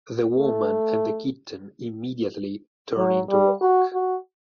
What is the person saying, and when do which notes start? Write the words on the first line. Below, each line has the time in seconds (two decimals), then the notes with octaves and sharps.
The woman and the kitten immediately turn into rock.
0.38 A3
2.96 F#3
3.29 G3
3.61 F#4
3.93 F#4